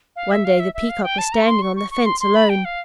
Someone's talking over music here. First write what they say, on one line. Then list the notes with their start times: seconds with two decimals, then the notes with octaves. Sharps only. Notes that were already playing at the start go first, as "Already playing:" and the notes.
One day the Peacock was standing on the fence alone.
0.16 F5
0.31 E5
0.44 F5
0.59 E5
0.74 E5
0.89 F5
1.03 G5
1.18 A5
1.32 A#5
1.42 C#6
1.47 C6
1.62 C#6
1.76 C#6
1.91 C#6
2.06 C6
2.20 C6
2.35 B5
2.49 G5
2.65 F5